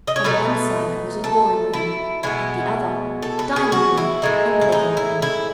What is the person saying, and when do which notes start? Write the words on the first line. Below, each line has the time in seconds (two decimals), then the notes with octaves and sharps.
On one side was a drawing room, at the other, dining room and living room.
0.07 D#5
0.16 C#5
0.24 B2 A3 D#4 B4
1.24 A4
1.74 E4
2.23 B2 G#3 B3 E4
3.23 A4
3.39 B4
3.56 G#4
3.72 F#4
3.97 E4
4.22 A2 G#3 D#4
4.61 E4
4.72 D#4
4.97 E4
5.22 E4